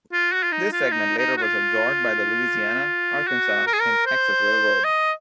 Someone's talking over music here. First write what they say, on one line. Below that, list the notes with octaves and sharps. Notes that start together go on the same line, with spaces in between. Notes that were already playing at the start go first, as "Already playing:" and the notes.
This segment later was absorbed by the Louisiana, Arkansas, and Texas Railroad.
F4
F#4
F4
D#4
F4
D#4
D#4
F#4
F4
F#4
A#4
G#4
A#4
C5
D#5